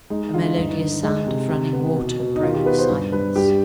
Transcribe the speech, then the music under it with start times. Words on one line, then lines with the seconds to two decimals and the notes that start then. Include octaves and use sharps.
A melodious sound of running water broke the silence.
0.10 G#3 D#4
0.34 D3 F4
0.57 G2 D#4
0.80 D3
1.03 G#3
1.27 C3
1.49 C3
1.73 B3
1.96 B2
2.20 B2
2.36 D#4
2.43 D#3 F4
2.54 G4
2.66 B3 B4
2.78 C5
2.89 G2
3.12 G2 B4
3.36 G2 G4